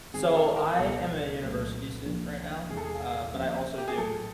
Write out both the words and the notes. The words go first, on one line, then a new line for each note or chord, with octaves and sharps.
So, I am a university student right now, uh, but I also do
A#1 G#2 D#3 G#3 C4 G#4
G#4
A4
A#4
C#2 B2 G#3 B3 A4
C2 A#2 F#3 A3
C2 C3 F3 A#3 D4
E2 C3 E3 G#3 G#4
A4
G#4
D#2 D3 F3 A#3 C#4
G4
G#4
A#1 A2 F#3 A3 A4